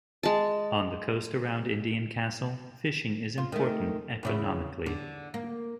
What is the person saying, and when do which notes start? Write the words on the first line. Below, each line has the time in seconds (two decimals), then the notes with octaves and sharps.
On the coast around Indian Castle, fishing is important economically.
0.23 G#3 A5
3.38 F4
3.52 D#3 A3
4.23 E2 C#3 E4
4.86 D3
5.34 A#3